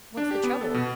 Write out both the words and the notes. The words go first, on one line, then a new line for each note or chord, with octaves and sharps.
'What's the trouble?
D4
G4
B3
A4
B2